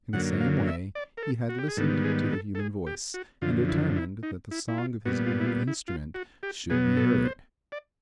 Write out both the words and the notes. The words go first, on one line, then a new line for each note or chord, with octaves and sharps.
In the same way he had listened to the human voice, and determined that the song of his own instrument should be heard.
F#2 D3 F#3 A#3 F#5
F5
E5
D5
A#4
A4
F#4
G4
G#4
G#2 D#3 G3 B3 A4
G#4
A4
A4
G#4
G4
F#4
F#2 D3 F3 F4
E4
E4
D#4
E4
E4
F4
A#2 G3 B3 F#4
F4
E4
F4
E4
F4
F#4
G4
B2 F#3 B3 G#4
A4
C5
D5